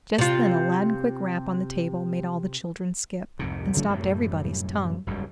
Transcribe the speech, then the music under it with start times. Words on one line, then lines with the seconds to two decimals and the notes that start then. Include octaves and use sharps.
Just then a loud and quick rap on the table made all the children skip, and stopped everybody's tongue.
0.18 C3 F4
3.39 C2 F2 G#2 C3
3.76 C#3 F#3 A3 A#3
3.89 F#2 A2 C3 G3
5.07 F#1 C#2 G#2 G3